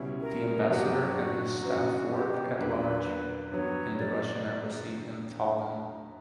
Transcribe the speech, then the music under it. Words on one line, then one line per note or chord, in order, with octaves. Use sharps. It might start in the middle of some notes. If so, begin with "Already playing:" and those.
The ambassador and his staff work at large in the Russian embassy in Tallinn.
Already playing: C#2 B2 G3 C#4 E4
A#4
G2 F#3 B3 D4 F#4 G4
F#4
F#2 E3 B3 F#4
G4
E2 D3 F#3 A#3 B4
G2 F#3 B3 C#5
D5